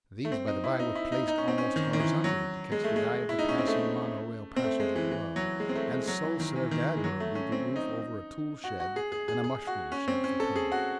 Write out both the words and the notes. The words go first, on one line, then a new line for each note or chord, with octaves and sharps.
These, by the bye, were placed almost horizontally to catch the eye of the passing mono-rail passengers above, and so served admirably to roof over a tool-shed and a mushroom-shed for Tom.
A3
C4
D#4
E4
D#4
E4
D#4
D#4
C#4
C4
C#4
D#3
D#3
E3
F#3
G#3
A3
G#3
E4
D#4
C#4
C4
A3
C4
A3
G#3
E3
E3
F#3
G#3
C4
A3
G#3
F#3
E3
D#3
E3
D#3
E3
G#3
F#3
A3
C#4
C4
D#4
F#4
F#4
G#4
G#4
G#4
G#4
F#4
C#4
C4
C#4
A4
G#4
F#4